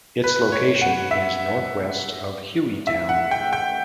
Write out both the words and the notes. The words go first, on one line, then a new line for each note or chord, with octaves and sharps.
Its location is northwest of Hueytown.
B4
C#5
F#5
E5
E5
F#5
G5
G5